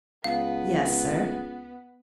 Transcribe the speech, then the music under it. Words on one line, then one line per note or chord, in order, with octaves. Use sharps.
"Yes, sir."
C#2 B3 F5